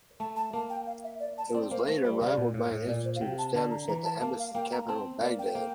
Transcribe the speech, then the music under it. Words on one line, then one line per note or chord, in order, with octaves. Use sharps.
It was later rivalled by an institute established at the Abbasid capital of Baghdad.
A3 A5
A5
A#3 A5
G5
F5
E5
D5
A5
C4 D5
A#3 C5
A3 C5
G3 C5
C3 D5
A#2
A2
A2
A#2 D5
C5
F5
C3 G5
A5
D3 A5
A#5
E3 A#5
A5
A#3 A5
F5
A#3 G5
A#5
C4 A5
A#3 D5
G5
A#3